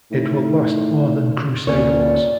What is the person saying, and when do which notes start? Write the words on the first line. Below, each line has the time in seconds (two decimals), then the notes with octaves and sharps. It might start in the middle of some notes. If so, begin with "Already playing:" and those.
It will last more than crusade wars.
0.11 A2 D#4
1.67 D2 A#2 C#4 C#5 D5